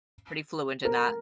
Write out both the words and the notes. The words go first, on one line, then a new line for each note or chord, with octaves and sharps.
Pretty fluent in that.
A#4